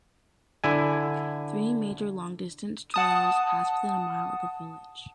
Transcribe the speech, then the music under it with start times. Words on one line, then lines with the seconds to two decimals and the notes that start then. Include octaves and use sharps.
Three major long-distance trails pass within a mile of the village.
0.64 D3 E4 G#5
2.94 F#5 A5 D#6